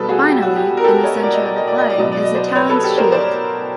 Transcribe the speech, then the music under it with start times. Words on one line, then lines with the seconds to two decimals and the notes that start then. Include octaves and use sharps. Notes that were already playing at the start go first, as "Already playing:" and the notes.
Finally, in the center of the flag is the town’s shield.
Already playing: B2 G3 A4 B4
0.09 F#4 G#4
0.28 G4
0.42 F#4
0.56 G4
0.77 A#4
0.84 G4 A4
1.03 C#5 D#5
1.23 D5
1.33 D#5
1.45 D5
1.56 D#5
1.67 D5
1.78 D#5
1.90 D5
1.98 B2 F#3 D#5
2.12 D5
2.23 D#5
2.34 C5 D5
2.55 B4 C#5
2.69 A4 B4
2.83 G4 A4
2.98 A#4 C5
3.12 C5 D5